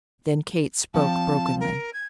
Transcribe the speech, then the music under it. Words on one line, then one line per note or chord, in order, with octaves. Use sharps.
Then Kate spoke brokenly.
F3 C4 D5 A5
A#4
G#6